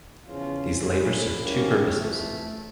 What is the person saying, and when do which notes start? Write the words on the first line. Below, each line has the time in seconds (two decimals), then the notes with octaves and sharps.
These labors served two purposes.
0.24 E2 C#3 F3 C#4 F4
0.82 F2 D3 A3 C#4 E4
1.39 F3 A#3 C#4 E4 G4
1.95 F2 E3 A3